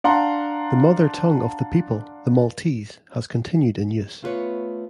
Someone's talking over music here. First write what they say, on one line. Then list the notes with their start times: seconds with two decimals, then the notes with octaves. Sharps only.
The mother-tongue of the people, the Maltese, has continued in use.
0.04 D4 F5 F#5 A#5 C6
4.22 A3 B3 F4 G#4 B4 C#5